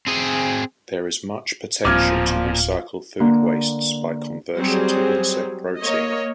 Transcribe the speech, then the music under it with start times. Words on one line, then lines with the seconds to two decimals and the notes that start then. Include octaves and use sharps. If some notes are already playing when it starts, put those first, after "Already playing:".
There is much potential to recycle food wastes by conversion to insect protein.
0.07 C4 G#4
1.85 D1 A#2 F3 C4 D6 F6 G#6
3.20 D3 A#3
4.56 F#3 G3 C4 G#4
5.79 A#3 C#5 D#5